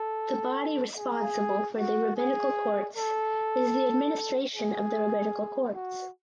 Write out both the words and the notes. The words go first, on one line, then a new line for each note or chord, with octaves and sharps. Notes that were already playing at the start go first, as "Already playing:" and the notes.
The body responsible for the rabbinical courts is the administration of the rabbinical courts.
Already playing: A4
G#4
F#4
G#4
A4
G#4
F#4